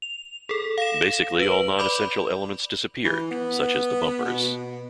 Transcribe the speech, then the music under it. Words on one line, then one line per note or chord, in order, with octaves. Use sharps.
Basically all non-essential elements disappeared, such as the bumpers.
F7
G#4 A4
F5 A#6 E7
B4 F#7
D5 B5 D6 G6
E3
B3
B2